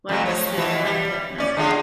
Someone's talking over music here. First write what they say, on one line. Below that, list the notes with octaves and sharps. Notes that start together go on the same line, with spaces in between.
One was certified Platinum.
F2 F#3
F3 C#5
B2 E3 F3
G3
C#4 D5
D3 G#3 F4